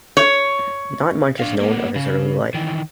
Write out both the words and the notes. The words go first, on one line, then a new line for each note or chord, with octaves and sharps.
Not much is known of his early life.
C#5
D4 F5
A#3 B3
C#3
D#3 E3